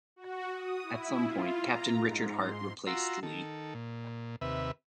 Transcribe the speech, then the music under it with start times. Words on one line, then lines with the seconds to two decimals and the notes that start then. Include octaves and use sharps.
At some point Captain Richard Hart replaced Lee.
0.16 F#4
0.53 D#6
0.82 E4
1.22 F4
1.62 A#5
2.01 G#2
2.38 C6
2.87 F4 F#4 A#5 C6 E6
3.23 D#3 A4
3.75 A#2
4.41 D#2 C3 B4 E5